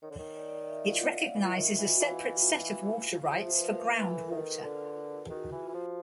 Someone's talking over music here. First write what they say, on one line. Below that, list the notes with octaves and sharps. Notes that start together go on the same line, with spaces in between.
It recognizes a separate set of water rights for groundwater.
D#3 C#5
D3
D#3
D5
D5
D#5
E5
F5
F#5
F5
E3 E5
D#5
D#3 E5
E3 F#5
E3 F5
F3 E5
C5
B4
A#4
E3 B4
A4
A#4
D#3
A4
D3
D#3 F#4
E3
F4
E3
F3